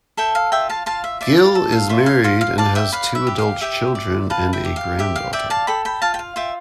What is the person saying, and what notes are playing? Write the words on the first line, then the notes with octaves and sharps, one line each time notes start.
Gill is married and has two adult children and a granddaughter.
A4 E5 G5
F5
F4 E5 G5
F5 A5
F4 F5 A5
E5
D5 E5
F5
A4
F5
F4 E5
F5
F4 F5
F5
D5 F5 A5
E5 G5
B4 F5
E5
G4
F5
G4 E5 G5
D5
B4 F5 A5
E5 G5
G4
F5
G4 E5
F5
D5 E5 G5
F5 A5
A4 G5 B5
G5 B5
F4 F5 A5
G5
F5
F4 E5 G5